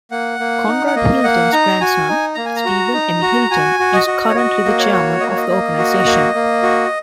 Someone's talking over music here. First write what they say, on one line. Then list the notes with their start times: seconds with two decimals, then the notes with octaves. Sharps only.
Conrad Hilton's grandson Steven M. Hilton is currently the Chairman of the organization.
0.11 A#3 F#5
0.39 A#3
0.67 D#4
0.87 F#5
0.96 A#3 D#5
1.24 A#3 F#5
1.52 D#4 A#5
1.81 F#4 G#5
2.09 D#4
2.35 A#3 A#5
2.45 G#5
2.56 A#5
2.65 F#4
2.94 D#4
3.22 F#4
3.51 F#4 G#5
3.80 F#4
3.93 D#5
4.07 F#4
4.29 C#5
4.36 F#4 D#5
4.65 A#3
4.79 C#5
4.93 F#4
5.20 A#3 D#5
5.29 C#5
5.37 D#5
5.49 A#3
5.78 F#4
6.06 A#3
6.34 A#3
6.63 F#4